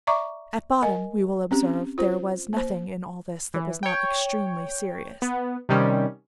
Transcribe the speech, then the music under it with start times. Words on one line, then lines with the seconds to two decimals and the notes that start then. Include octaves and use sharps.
At bottom, we will observe, there was nothing in all this that was not extremely serious.
0.07 D5 E5 A#5 C#6 D6
0.82 A#4 D#5 G#5
1.51 C4 C#4 G4
1.98 F4 C5
2.53 A#3 C5
3.54 E3
3.83 C#5 G5
5.22 B3
5.69 C3 D#3 G3 C#4